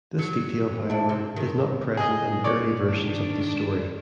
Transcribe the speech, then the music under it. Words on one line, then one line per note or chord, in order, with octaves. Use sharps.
This detail, however, is not present in early versions of the story.
F#3
D4 E4
C3
F#2 D#3
G#4 D#5
C#5 D5
D#3 D4